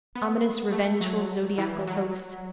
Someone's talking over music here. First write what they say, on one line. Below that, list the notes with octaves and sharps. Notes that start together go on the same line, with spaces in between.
Ominous revengeful zodiacal host!
B3
A3
F#3
E3
F#3